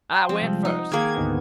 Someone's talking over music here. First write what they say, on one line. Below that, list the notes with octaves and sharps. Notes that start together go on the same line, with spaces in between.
I went first.
G5 C6
F3 C4
C3 G3 G#3
D#4 F#5
D#3 A#3 G#4 G#6
D2 G#2 B3